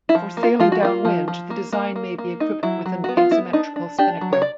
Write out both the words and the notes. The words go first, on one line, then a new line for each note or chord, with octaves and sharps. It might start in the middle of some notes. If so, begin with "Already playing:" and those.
For sailing downwind the design may be equipped with an asymmetrical spinnaker.
E4
F3
A#3
F4
F3 F4
F#4
A#3 F4
F3
F3
A#3
A#3
A#3
A#3
D#4
F#3 E4
F#3
B3 F#4
F4
B3 E4
D4 D#4
D4
D4 G4
F#3
C#5
D5